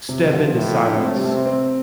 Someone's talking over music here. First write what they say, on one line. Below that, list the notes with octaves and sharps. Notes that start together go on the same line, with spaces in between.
step into silence,
C3
G2 C3
D3
F3
A2
D4
C4
A3
C3 G3
A3
C4
C4